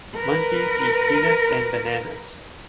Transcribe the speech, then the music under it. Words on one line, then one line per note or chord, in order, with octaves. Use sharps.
Monkeys eat peanuts and bananas.
A#4 B4